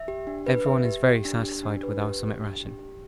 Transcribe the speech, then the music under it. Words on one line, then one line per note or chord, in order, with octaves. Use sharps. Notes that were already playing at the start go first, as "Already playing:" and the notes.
Everyone is very satisfied with our summit ration.
Already playing: E5
G4
D4
B4
E5
G4
G4
D4
G4
D4
B4
G4
G4
D4
G4
G4